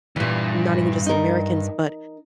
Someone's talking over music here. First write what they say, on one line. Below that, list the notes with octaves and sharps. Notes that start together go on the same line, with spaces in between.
not even just Americans, but
C#2 G2 A#2 E3
D#4 A#4